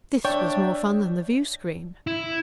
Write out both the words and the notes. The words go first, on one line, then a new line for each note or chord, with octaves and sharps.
This was more fun than the viewscreen.
D4 C#5 D5 E5 G5
E4